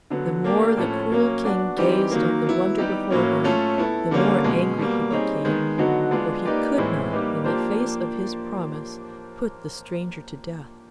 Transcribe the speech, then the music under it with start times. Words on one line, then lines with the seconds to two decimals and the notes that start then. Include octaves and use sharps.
The more the cruel King gazed on the wonder before him, the more angry he became, for he could not, in the face of his promise, put the stranger to death.
0.10 D3 F#3 B3
0.44 A#3 D4 G4 A#4
0.77 A2 F3 A3 C#4
1.10 F#3 A#3 C#4
1.44 B3 D4 F#4
1.77 E3 G3 C4 D#4 G4
2.11 D#3 F#3 A#3
2.44 F#3 B3 E4
2.78 G3 B3 D#4 G4
3.10 A2 F#3 A#3 C#4
3.44 A3 C#4 F4 A4
3.78 B3 E4 A4
4.11 D3 G3 A#3 C#4
4.44 B2 G#3 C#4
4.78 B2 G3 A#3
5.11 G3 C4 D#4 G#4 C#5
5.45 D#3 G#3 B3
5.78 D3 F#3 B3 D#4 F#4
6.11 G#3 B3 D4 F4
6.45 A#3 D#4 G4 B4 D5
6.78 A2 E3 G#3 C4 E4
7.11 G3 A#3 D#4 G4 B4
7.44 F3 A#3 D4 G4 C5